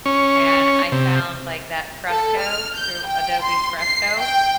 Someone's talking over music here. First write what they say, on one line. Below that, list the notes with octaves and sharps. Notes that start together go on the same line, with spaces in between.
and I found, like, that Fresco, through Adobe's Fresco,
C#4
C3
A4
F6
G6
G5
C6
C7
G5